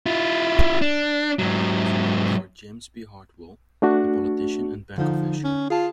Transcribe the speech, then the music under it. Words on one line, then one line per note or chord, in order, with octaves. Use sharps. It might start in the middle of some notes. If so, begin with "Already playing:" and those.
It was named for James B. Heartwell, a politician and bank official.
E4 F4
D4
G#2 F#3
A3 D4 F#4
D3 F3 D#4
C#4
F4 G#4 A5